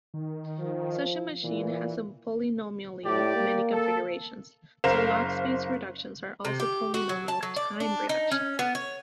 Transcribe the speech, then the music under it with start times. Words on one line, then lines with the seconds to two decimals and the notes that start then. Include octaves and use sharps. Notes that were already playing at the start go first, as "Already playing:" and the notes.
Such a machine has polynomially-many configurations, so log-space reductions are also polynomial-time reductions.
0.14 D#3
0.60 F3
1.44 A#2 E3
3.05 A2 G4 D5
3.35 A#3
3.72 A4
4.84 F#1 A#4 C5 F5 E7
6.45 C3
6.60 G4
6.94 F#4
7.09 F#3
7.28 A5
7.43 F#3
7.56 D5
7.80 D4
8.09 D#4
8.31 C#4
8.59 B3
8.75 C#5